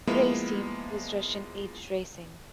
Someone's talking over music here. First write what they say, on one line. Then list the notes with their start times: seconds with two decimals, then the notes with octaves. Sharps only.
Race team was Russian Age Racing.
0.07 F3 G#3 A#3 B3 E4